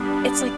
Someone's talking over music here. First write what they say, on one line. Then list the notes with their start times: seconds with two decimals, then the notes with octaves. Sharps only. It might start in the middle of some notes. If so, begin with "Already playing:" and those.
it's, like
Already playing: G3 B3 D4
0.14 D5